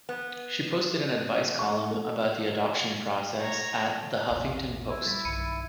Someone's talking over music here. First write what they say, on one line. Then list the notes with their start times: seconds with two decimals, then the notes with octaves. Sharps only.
She posted an advice column about the adoption process at "The Huffington Post".
0.09 B3
1.59 C#6
1.91 A4
3.40 C#5 A#5
4.30 A#1 E2 C4
4.44 E5
4.89 E4
5.06 G3 A6 B6
5.25 B1 G2 D#3 B5 C#7 D#7